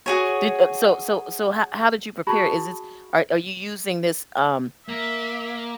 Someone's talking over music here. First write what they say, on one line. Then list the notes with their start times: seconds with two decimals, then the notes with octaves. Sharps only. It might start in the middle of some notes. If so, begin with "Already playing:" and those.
Did uh, so so so ho how did you prepare it, is this are are you using this, um
0.06 F#4 G#4 C#5
2.27 F#4 G#4 A5 B5
4.88 A#3 E5